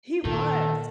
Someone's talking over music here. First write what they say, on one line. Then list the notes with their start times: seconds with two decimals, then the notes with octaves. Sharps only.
He was.
0.25 A#2 D#3 A4